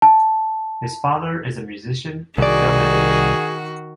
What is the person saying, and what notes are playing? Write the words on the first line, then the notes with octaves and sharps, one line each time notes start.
His father is a musician and film editor.
A5
C2 D#3 F#4 G#4 D5